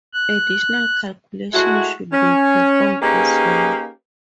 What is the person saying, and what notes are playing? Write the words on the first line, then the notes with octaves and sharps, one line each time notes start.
Additional calculations should be performed as well.
F#6
G#3 A3 E4 F#4
C#4
A#3 C#4 D#4 G4 G#4 B4